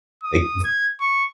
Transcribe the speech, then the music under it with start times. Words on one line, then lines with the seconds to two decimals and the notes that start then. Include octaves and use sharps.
Like v
0.24 D#6
0.64 G#6
1.00 C#6